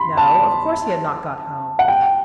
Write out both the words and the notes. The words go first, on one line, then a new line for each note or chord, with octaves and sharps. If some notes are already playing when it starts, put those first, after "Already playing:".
No, of course he had not got home.
Already playing: B5 C6
A5
F#5
G5